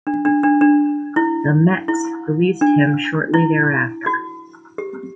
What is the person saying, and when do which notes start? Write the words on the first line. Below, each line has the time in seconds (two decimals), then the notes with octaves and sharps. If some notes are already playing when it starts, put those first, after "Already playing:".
The Mets released him shortly thereafter.
0.07 D4
0.25 D4
0.43 D4
0.61 D4
1.16 E4
1.88 E4
2.61 D4
3.34 E4
4.06 F#4
4.78 G4